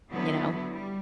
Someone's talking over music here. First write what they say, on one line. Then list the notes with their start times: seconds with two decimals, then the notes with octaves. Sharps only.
you know,
0.10 D3 F#3 B3 E4
0.71 G3